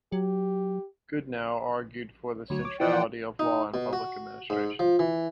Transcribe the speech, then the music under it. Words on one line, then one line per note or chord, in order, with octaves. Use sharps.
Goodnow argued for the centrality of law in public administration.
F#3 G4
D2 F#3 C#5
D6
E3 F3 D5 F#5 G5
D#4
B2
F#4
G#2
F3
E3